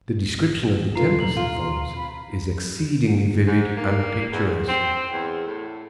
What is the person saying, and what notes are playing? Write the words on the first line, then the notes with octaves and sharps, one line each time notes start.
The description of the tempest that follows is exceedingly vivid and picturesque.
G#1 C#4
D1 B2 C4 F4 A4 B4 A#5 C7
A#5 F#7
F4
B5
G#2
A#3
E2
C4
E2
A2